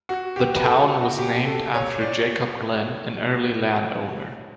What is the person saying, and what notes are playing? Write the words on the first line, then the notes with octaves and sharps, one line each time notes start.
The town was named after Jacob Glen, an early landowner.
F#4
G4
B4
A4
F#4
G4
A4
C#5
D5